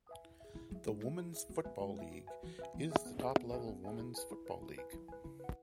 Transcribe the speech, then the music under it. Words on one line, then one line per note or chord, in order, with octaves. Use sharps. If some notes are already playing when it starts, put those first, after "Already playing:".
The Women's Football League is the top-level women's football league.
B4 E5 G#5
E4
G#4 E5
B2 E4
F#3 G#4 E5
G#3 E4
G#4 E5
E4
G#4 E5
B3 F#4
B3 B4 E5 G#5
G#3 F#4
B4 E5 G#5
F#4
B4 E5 G#5
E3 F#4
C#3 B4 E5 G#5
E3 B3
G#4 E5 G#5
B3
G#4 E5 G#5
B3
G#4 E5 G#5
B3
G#4 E5 G#5
B3 E4
B4 G#5
E4
B4 G#5
G#3 E4
B4 G#5
F#3 E4
G#3 B4 G#5
C#3 E4
B4 F#5